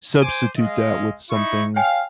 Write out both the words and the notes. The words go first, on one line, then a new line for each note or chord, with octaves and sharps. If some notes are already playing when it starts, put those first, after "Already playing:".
substitute that with something
C5 G#5 D6 D#7
G#3 D#5 F5
D#4 E4 C#6
C#5 F5 G5 G#5